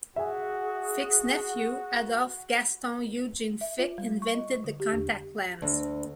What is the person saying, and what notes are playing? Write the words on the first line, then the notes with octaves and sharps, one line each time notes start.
Fick's nephew, Adolf Gaston Eugen Fick, invented the contact lens.
F#4 G#4 E5 G#5
E5
F4
G3
C#6
D#5
D3
G4
E2
D2